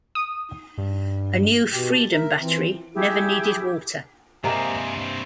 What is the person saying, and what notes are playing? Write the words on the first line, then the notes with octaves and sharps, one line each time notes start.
A new Freedom battery never needed water.
D#6
G2
B2 G4
A5
A#4 E5
E3 C4
E4 G4 G#4
G2 C3 G#3 A#3 C4 G#4